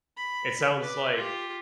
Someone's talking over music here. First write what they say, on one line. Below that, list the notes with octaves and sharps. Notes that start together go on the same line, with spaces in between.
it sounds like
B5
B4 D5
F4 G4